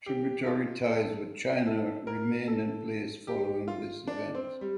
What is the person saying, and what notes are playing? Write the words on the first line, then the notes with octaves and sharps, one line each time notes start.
Tributary ties with China remained in place following this event.
G4
F4
A4
A4
A#4
A4
G4
F4
D4
C4
G3